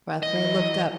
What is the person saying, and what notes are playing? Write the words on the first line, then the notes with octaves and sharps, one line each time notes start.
Rathbury looked up.
E3 F#3 D#5